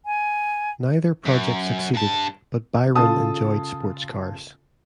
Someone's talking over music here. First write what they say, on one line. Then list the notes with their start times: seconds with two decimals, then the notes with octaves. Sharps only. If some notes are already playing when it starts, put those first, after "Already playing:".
Neither project succeeded, but Byron enjoyed sports cars.
0.06 G#5
1.26 F#2
1.94 G2 A5
2.95 C#3 F4 A4 A5 D#6